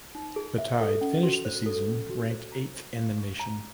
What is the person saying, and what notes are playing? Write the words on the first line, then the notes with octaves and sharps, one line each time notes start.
The Tide finished the season ranked eighth in the nation.
D#4
G#4
E5
A4
C#4
F#4
C5
A4
C#4
F#4
C5
A#5
C5
F5
C#6
A#5